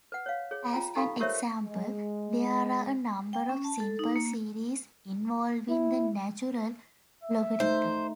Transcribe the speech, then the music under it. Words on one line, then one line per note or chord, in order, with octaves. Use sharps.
As an example, there are a number of simple series involving the natural logarithm.
B4 F#5
C#5 F5
G#4 C#5
F4 G5 A#5
D#4 G4 A4 F5 B5
G4 A#4 C5 C#5 E5
G#3
G5
C#4
A5
A4
D#4
A#3
E4
E5
A3 D#4 C5